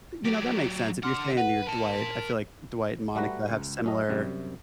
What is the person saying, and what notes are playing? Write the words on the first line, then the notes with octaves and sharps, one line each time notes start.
You know, that makes sense. If you're saying you're Dwight, I feel like Dwight and Monica have similar
F#3 G4
D3 F#5 C6 D6 F6
B4 F#5
A#4 A5 C6
G3 A3 F#4 B4 F#5 A#5
C#2
F#2 C#4 D#5
F#2 C3 G3